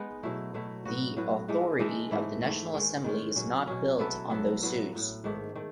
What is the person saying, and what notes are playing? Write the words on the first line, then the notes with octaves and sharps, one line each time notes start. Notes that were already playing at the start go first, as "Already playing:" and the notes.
The authority of the national assembly is not built on those suits.
Already playing: G#3 B3 D#4
B2 F#3 A3 E4
B2 F#3 A3 E4
A2 F#3 B3 F#4
A2 F#3 B3 F#4
E3 G#3 D#4 A4
E3 G#3 D#4 A4
G#2 E3 A3 E4
G#2 E3 A3 E4
D#3 G#3 C#4
D#3 G#3 C#4
B2 F#3 C#4
B2 F#3 C#4
F#3 B3 E4 A4
F#3 B3 E4 A4
A2 F#3 B3
A2 F#3 B3
G#2 D#3 A3
D#3 A3